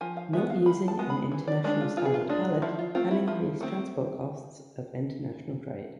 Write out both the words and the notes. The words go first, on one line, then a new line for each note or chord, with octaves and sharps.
Not using an international standard pallet can increase transport costs of international trade.
F3 G#5
F5
G#3 B3 E5
F5
F3 B5
A5
G#3 B3
B5
E3
D5
G#3 D4 D5
F4
E3 F4
G#4
F4
G#3 D4
F3 E4
F4
A3 C4 F4
E4
F3
A3 C4